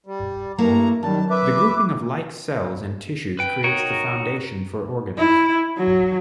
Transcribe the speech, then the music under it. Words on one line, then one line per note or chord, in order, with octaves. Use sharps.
The grouping of like cells and tissues creates the foundation for organs.
G3
G2 A3 A#3 E4 A#5
F#2 D#3 G3 A5
B4 E5 D6
B4 G5
D#4 F#4 A#4 C#5 G5
E4
F#3